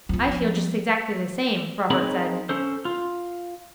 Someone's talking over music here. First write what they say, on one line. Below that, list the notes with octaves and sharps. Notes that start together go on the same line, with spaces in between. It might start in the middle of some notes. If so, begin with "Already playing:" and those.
'I feel just exactly the same,' Robert said.
F3 B3
C4 D#4 G#4 A#4 B5
C#4 A4 C5
F4